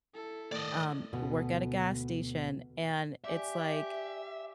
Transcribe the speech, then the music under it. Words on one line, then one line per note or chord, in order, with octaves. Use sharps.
um, work at a gas station, and it's like
E4 A4
A2 D#3 D5 D#5
D2 B2 B4
G4 D5 E5 G#5